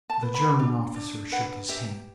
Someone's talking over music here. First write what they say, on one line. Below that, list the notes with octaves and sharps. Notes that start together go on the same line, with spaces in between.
The German officer shook his head.
A5
B4
B5
D4
D4
B4 F#5
G4 E5